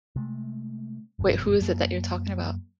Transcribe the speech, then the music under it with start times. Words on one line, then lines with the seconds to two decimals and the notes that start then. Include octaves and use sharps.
Wait, who is it that you're talking about?
0.16 C3 G#3 A3
1.19 G1 F#2 B2
1.61 F#2 F#3 A#3